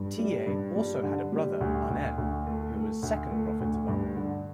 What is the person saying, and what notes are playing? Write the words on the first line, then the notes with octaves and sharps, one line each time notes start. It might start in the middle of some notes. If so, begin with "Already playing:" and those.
Tiye also had a brother, Anen, who was Second Prophet of Amun.
Already playing: G2
G3
G2
G3
D3
G3
D2
D2
D2
A3
A3
D2
A3
D2
G2
D3